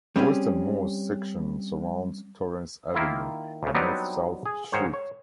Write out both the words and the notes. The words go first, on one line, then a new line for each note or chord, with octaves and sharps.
The westernmost section surrounds Torrence Avenue, a north-south street.
G3 C4 C#4 G4 G#4
D#3 A#3 E4 F4
D2 C#3
F#3 G3 B3 C4 D4 D#4
G#4
G#2 D#3 C5 C#5
C#5